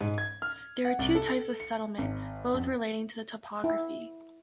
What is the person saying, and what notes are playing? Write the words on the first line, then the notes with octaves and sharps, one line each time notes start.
There are two types of settlement, both relating to the topography.
G#2
G#6
F6
F#5
C2
A4
C#7
G#1
F2
E4